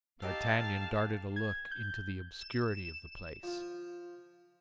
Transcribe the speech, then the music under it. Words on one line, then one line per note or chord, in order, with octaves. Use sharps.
D'Artagnan darted a look into the obscurity of the Place.
D#4 G4 A4 F5 A5
G#6
G6
E7
F3 F4